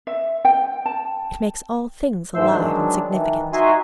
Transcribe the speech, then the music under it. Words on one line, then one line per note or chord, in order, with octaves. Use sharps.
It makes all things alive and significant.
E5
G5
A5
G#2 E3 A3 C5 C6 E6
D#3 F#3 G#3 D4
D#3 E3
D#4 F#4 E5 G#5 C6